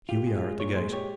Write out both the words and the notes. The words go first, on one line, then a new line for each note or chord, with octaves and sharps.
Here we are at the gate.
F4 G4
G#3
G#3
A#2 C#5
G#3 C5
G4 C#5